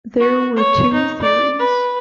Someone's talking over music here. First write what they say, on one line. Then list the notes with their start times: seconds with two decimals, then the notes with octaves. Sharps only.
There were two theories.
0.20 F#4
0.56 C#5
0.93 D#4
1.22 D5
1.59 B4